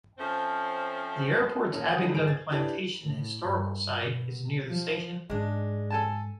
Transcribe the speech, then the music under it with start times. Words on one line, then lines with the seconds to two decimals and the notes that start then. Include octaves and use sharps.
The airport's Abingdon Plantation historical site is near the station.
0.18 F3 A3 C4 C#4 C5
1.70 D#1 C#4 A4 A#4
1.88 F#5 D#6
2.01 D3 G3 A3 D4 D#4
2.14 G#2 G#4 D7 F7
2.28 G#6 A6
2.50 D4 E4 G4 A4 B4 D5
3.05 A2
3.48 G2
4.00 B2
4.68 F3
5.30 G#2 G#3 D4
5.90 A4 G#5 A5